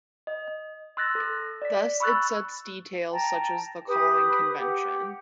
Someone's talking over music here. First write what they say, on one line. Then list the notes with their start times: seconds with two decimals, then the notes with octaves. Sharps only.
Thus it sets details such as the calling convention.
0.27 D#5
0.97 C6 E6 F#6 A6 A#6
1.15 A4
1.62 D5 B6
2.00 B5 C#6 E6 F#6 A6
3.11 G5 A5 A#5
3.87 G4 B4 D#6
4.56 G4 F#5